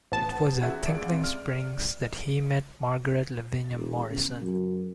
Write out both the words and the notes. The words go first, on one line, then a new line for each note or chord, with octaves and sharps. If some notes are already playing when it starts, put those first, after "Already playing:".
It was at Tinkling Springs that he met Margaret Lavinia Morrison.
A1 B3 A5
E2 C#4 F#4 G#4 E5
C#2 D5 D7
C4
D5 F6
E1
C#3
F#2